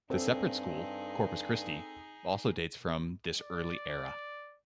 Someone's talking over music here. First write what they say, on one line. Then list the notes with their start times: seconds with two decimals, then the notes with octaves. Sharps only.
The separate school, Corpus Christi, also dates from this early era.
0.10 G2 C4 D#4 G#4 A4
3.40 D5